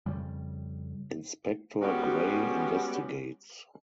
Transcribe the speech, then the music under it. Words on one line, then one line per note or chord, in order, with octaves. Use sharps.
Inspector Grey investigates.
F2 C#3 G3
G3 G#3 B3 C#4 F#4 G4